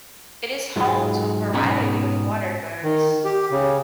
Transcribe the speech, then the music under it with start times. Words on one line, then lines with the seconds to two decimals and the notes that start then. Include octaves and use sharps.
It is home to a variety of water birds.
0.76 G#2 F#3 G#3 F4
1.53 G#2 B2 B3 C#4 A#5 B5
2.83 D#3
3.24 G4
3.51 C#3